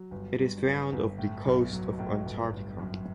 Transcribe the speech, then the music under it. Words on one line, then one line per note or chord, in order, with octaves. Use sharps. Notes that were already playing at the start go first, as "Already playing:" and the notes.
It is found off the coast of Antarctica.
Already playing: F#3
G1
G2
G1
G1
A2
B1
F#3
A2
G1
G1
F#2